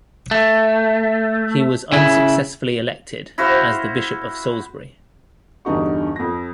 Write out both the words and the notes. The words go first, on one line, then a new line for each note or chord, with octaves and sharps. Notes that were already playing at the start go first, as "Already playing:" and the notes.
He was unsuccessfully elected as the Bishop of Salisbury.
A3
C#3 E4
E4 F#4 C5 F5
E2 G2 D3 D#4 F#4 C#6
F2 A#6